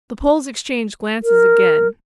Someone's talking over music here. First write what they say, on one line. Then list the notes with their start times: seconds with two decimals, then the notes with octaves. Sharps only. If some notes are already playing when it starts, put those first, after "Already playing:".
The Poles exchanged glances again.
1.23 A#4